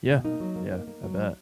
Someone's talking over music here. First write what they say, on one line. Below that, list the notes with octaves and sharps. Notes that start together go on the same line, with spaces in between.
Yeah. Yeah. I bet.
B2
A#3 D#4
F#3
A#3
A#3
A#3
F#3